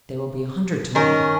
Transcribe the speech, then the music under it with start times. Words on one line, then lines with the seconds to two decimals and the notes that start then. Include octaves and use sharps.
"There will be a hundred to-morrow."
0.95 D#3 C#4 A#4